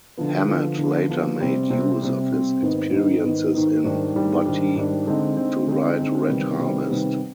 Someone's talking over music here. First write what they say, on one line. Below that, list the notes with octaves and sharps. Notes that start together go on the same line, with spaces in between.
Hammett later made use of his experiences in Butte to write Red Harvest.
D3 F3 B3
D3 F3 B3
D3 F3 B3
D3 F3 B3
C3 G3 C4
C3 G3 C4
C3 G3 C4
C3 G3 C4
G#2 D#3 B3 D#4
G#2 D#3 B3 D#4
G#2 D#3 B3 D#4
G#2 D#3 B3 D#4
G#2 D#3 G3 D4
G#2 D#3 G3 D4
G#2 D#3 G3 D4
G#2 D#3 G3 D4
D3 G#3 C4 D#4
D3 G#3 C4 D#4
D3 G#3 C4 D#4
D3 G#3 C4 D#4
C3 D#3 G3 B3
C3 D#3 G3 B3
C3 D#3 G3 B3